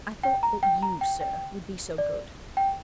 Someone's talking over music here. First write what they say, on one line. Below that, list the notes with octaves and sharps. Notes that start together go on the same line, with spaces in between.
"I thought that you, sir, would be so good!"
G5
A#5
G5
A#5
G5
G5
D5
G5